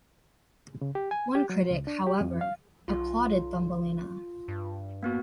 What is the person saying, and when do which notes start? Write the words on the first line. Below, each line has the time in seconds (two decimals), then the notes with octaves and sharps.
One critic, however, applauded "Thumbelina".
0.81 C#3
0.95 G4
1.11 G#5
1.35 G4
1.49 F#3
1.71 C#2
1.87 D4
2.07 G4
2.21 F2
2.41 F5
2.88 B1 F4
4.48 G2
5.03 A#3 B3 F#4